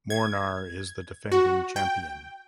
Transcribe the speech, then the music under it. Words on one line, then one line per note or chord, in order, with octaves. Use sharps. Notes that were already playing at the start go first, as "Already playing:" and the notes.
Mornar is the defending champion.
G#6
F#4
G5